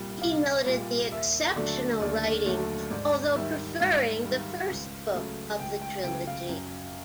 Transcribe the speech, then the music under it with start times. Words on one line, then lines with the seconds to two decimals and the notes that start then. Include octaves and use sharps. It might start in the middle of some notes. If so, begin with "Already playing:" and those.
He noted the exceptional writing although preferring the first book of the trilogy.
Already playing: C2 A#2 G3
0.21 C2 F5
0.66 A#2 G3
1.12 D#2 E5
1.56 D3 F#3 A3 D5
2.01 D#2 D5
2.46 D3 F#3 A3
2.90 G#2 D5
3.35 D#3 G3 E5
3.80 G#2 F5
4.25 D#3 G3
4.70 C#2
5.14 C#3 F#3 A3
5.59 C#2 G5
5.81 G5
6.04 C#3 F#3 A3 G5
6.27 F5
6.49 F#2